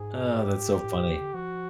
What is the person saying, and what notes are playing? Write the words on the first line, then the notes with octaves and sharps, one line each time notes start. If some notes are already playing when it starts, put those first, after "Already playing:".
Uh, that's so funny.
Already playing: G#2 G#4
G4
A2
A#2
D3
D3
F3 F#4